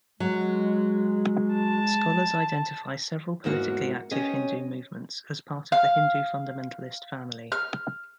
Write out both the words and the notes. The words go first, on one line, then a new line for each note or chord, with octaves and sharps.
Scholars identify several politically active Hindu movements as part of the Hindu fundamentalist family.
F#3 G#3
A5
E2 G#2 A#3 F#4
C#4 G4 C#5 D#5
F5
F6